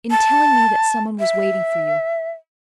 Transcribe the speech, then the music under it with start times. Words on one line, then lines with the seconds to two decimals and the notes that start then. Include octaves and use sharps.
"In telling me that some one was waiting for you."
0.11 A5
1.20 E5